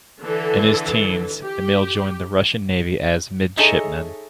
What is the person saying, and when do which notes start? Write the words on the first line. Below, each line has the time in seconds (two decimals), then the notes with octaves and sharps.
In his teens, Emil joined the Russian Navy as a midshipman.
0.21 D3 E3 A4
1.42 G4
3.57 D#4 G#4 A4 C#5 D#5 E5